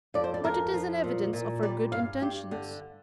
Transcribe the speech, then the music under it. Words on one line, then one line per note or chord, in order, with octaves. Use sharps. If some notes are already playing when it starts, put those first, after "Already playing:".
But it is an evidence of her good intentions.
F2 D5
C5
D5
F2 A#4
F3
A#2
A#2
G3 D5
G2 F5
G2 G4
D3 G4